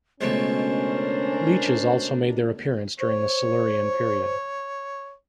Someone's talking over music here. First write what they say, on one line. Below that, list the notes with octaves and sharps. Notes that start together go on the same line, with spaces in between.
Leeches also made their appearance during the Silurian Period.
C#2 B2 A3 C#4 C5
D4 A#4
C5 C#5